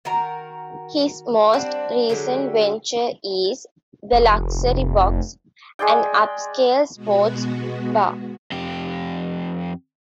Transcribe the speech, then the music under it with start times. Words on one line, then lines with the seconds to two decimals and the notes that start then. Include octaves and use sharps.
His most recent venture is "The Luxury Box", an upscale sports bar.
0.05 D#3 F#4 A#4 A#5
1.53 G3 C4 D4 F#5
2.09 D3 F#3 G#3 G4
4.13 F1
5.79 G#3 G#4 D5 G5
6.94 B2 G#3 B3 F#4
8.52 F2 G4